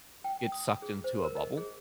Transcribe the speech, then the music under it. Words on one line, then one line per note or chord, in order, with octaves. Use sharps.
get sucked into a bubble.
G5
D#6
G#4
C5
A#4
D#5
G#4